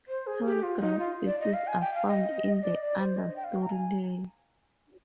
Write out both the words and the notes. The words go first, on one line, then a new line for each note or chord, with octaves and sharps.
Tallgrass species are found in the understory layer.
C5
G#4
G4
F4
D#4
F4
D5
D#5
F5
G#5
G5
F5
D#5
D5
D#5
D5
C5
D#5
G5
F5
A#5
G#5